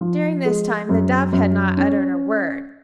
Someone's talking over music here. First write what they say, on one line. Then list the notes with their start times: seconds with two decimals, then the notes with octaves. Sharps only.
During this time the Dove had not uttered a word.
0.01 F3
0.45 G#3
0.89 F#2
1.33 F#2
1.77 C#4